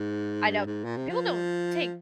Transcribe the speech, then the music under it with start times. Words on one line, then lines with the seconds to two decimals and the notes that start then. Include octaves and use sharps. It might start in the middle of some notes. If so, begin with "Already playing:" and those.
I know, people don't take
Already playing: G#2
0.48 G2
0.66 G#2
0.84 A#2
0.97 C3
1.09 F3